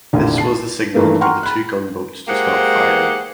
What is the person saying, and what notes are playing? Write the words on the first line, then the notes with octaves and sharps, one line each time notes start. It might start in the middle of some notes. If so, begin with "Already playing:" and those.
This was the signal for the two gunboats to stop firing.
F1 A#1 D#2 A2 D3 D#3
A5 C7
G2 D#3 E3 A3 A#3
F#5 G5 A#5 C6 C#6 F6
B5 F#6
G#3 A#3 G4 G#4 C5 F#5